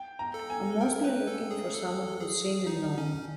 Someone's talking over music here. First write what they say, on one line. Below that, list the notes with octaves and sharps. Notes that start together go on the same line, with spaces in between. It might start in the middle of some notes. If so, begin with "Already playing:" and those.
I'm mostly looking for someone who's seen and known.
Already playing: G5
A#5
A4
G#5
A#4 G5
B4
A4
G#4
A4
G#4
D#4
C#4